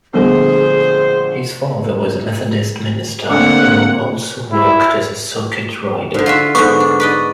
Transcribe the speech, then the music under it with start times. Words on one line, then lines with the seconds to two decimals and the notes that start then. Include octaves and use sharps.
His father was a Methodist minister who also worked as a circuit rider.
0.13 A#1 D3 G3 A3 B3 G#4 A4 C5
3.29 D3 A3 A#3 C4 F#5 D6
4.52 E4
6.14 G#2 D3
6.26 F4 F#4 E5
6.55 G#2 D3 B3 C#6
6.80 D4
7.00 B4 D5 D#5